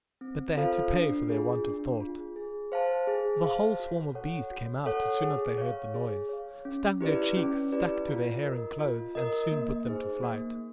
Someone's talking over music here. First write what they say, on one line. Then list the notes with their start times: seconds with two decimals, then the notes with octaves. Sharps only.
But they had to pay for their want of thought; the whole swarm of bees came out as soon as they heard the noise, stung their cheeks, stuck to their hair and clothes, and soon put them to flight.
0.21 C4
0.57 F4 A4 C5 F5
0.93 D4
1.29 F4 G#4
1.64 D4
2.00 F4 G#4
2.36 G#4
2.72 C5 F5 A5
3.07 G#4
3.43 C5 F5 A5
3.80 F#4
4.15 A4 C#5 F#5
4.51 F#4
4.86 A4 C#5 F#5
5.22 G#4
5.58 C#5 F5
5.94 G#4
6.29 C#5 F5
6.65 C#4
7.01 E4 G4 B4 D5
7.36 C#4
7.72 E4 G4 B4 D5
8.08 F4
8.43 A#4 D#5
8.79 F4
9.15 A#4 D#5
9.51 A#3
9.87 D#4 G#4 C5
10.23 A#3